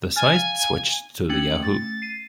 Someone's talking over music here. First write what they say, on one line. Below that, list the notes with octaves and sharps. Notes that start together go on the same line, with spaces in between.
The site switched to the Yahoo!
G#5 F6 A6
F5
A3 C#4 G5 F#7
A6
C7 D#7